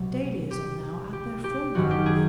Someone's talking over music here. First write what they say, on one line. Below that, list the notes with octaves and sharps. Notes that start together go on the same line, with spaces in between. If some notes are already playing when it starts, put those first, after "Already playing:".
Dahlias are now at their full growth.
Already playing: C2 B2 F#3
G4
G4
G4
F#1 F#2 D#3 F#3 F#4
G4
G#4